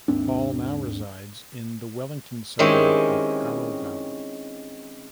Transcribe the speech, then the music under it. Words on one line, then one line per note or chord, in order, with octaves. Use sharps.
Paul now resides in the Wellington suburb of Aro Valley.
D#2 G#2 C4 D4
D#3 G#3 C4 C#4 E4 G4